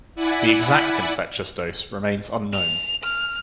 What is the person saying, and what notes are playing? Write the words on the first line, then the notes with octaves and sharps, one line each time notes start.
The exact infectious dose remains unknown.
E4 D5 F#5 G#5 B5
F7
F6